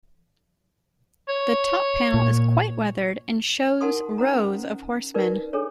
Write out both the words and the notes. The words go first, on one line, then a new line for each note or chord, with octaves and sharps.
The top panel is quite weathered and shows rows of horsemen.
C#5
A#2
D#4 A#4 F#5 A5 C6 D#6
C#4 C5 F#5 A#5
D#4 A#4 B4 D5
D4 G#4 A4 C#5